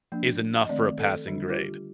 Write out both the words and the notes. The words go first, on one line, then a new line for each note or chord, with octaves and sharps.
is enough for a passing grade."
F3 A#3 D4
D#5
D#3 A3 C4 D5
A4
D3 G3 D4
F4
G4